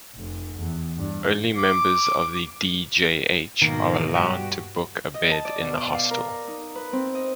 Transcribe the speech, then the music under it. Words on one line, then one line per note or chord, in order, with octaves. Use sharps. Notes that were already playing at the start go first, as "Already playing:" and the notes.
Only members of the DJH are allowed to book a bed in the hostel.
F1
E2
G2
D6
G#2 B2 D#3 A#3
G2 F#4 G4
D#5
A5
D5
B2
D5
F5
A#4
D#4
B4
C4
D#5